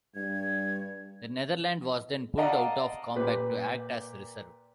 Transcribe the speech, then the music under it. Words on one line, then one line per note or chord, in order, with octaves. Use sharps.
The "Nederland" was then pulled out of combat to act as reserve.
G2 G#6
D5 D#5 F5 F#5 A5 A#5
A#2 G4 B4